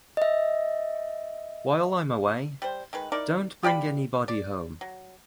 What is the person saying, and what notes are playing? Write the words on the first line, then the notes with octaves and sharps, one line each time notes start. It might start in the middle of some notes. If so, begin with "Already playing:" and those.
While I’m away, don’t bring anybody home.
D#5 E5
G3 C5
D#3 G#3 B4
D#4 E4 A#4 D5
F4 G4 D5 B5
D5
F#3